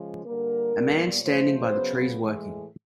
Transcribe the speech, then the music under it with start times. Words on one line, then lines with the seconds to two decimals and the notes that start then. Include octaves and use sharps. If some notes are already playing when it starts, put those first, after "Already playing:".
A man standing by the trees working.
Already playing: C#3 F3 G#3
0.25 D3 G3 A#3 A#4
0.74 A#2 G3 B3
1.22 C#3 F3 A3 C5
1.70 C#3 F#3 B3
2.19 A2 E3 G#3